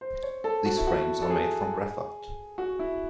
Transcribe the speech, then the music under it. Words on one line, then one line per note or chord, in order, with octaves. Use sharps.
These frames are made from graphite.
C5
C#5
A4
F#4
E4
F#4
A4
G#4
F#4
E4